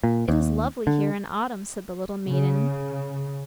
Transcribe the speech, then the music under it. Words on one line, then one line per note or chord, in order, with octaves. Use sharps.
"It is lovely here in autumn!" said the little maiden.
A#2
D#2
D3
C#3